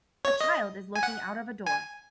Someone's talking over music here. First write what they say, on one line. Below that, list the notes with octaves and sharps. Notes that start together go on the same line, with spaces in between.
A child is looking out of a door.
C#5
D#5
G#5
F#5
G#5